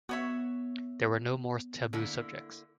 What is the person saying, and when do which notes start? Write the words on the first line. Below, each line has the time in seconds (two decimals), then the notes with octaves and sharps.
There were no more taboo subjects.
0.09 B3 F#4 C#5 E5
1.93 D3 A#3 E4